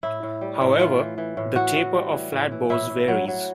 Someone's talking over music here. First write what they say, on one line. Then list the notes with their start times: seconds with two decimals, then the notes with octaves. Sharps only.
However, the taper of flatbows varies.
0.03 A2 E4
0.23 A2
0.41 G3
0.61 A2
0.79 E3 F4
0.99 E3
1.18 E3
1.37 A2
1.56 E3 F#4
1.76 A2
1.94 G3
2.13 E3
2.32 A2
2.52 E3
2.70 A2 E4
2.89 A2
3.08 F#3
3.28 F#3